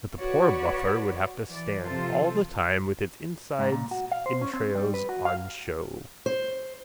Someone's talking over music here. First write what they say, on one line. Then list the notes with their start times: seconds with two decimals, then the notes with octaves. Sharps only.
But the poor buffer would have to stand all the time with his insides entrails on show.
0.19 F#4 B4 C#5 D5
1.47 E3 D5
1.83 C3 F3 F4 A4 C5
3.59 G#2
3.72 A#2
3.91 F#4
4.12 F5
4.26 C5
4.41 C#4
4.54 C4
4.75 G3
4.94 B4
5.09 F#4
5.25 F5
6.26 C5